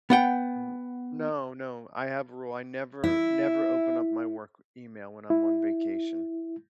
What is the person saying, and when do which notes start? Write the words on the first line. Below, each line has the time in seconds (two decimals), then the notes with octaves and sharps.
Mm no no, I have a rule, I never, never open up my work email when I'm on vacation,
0.10 B3 F#5 G5
3.04 E4
5.30 E4